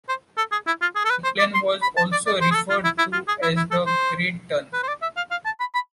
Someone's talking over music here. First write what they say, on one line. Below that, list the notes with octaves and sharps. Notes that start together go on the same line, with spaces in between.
The plan was also referred to as the "Great Turn".
C5
A4
G#4
E4
F4
G#4
A4
B4
C5
D5
C6
B5
A5
D5
D5
C5
G#4
A4
F4
E4
E4
F4
G#4
E4
E4
A4
C5
B4
C5
D5
E5
F5
F5
A5
B5
B5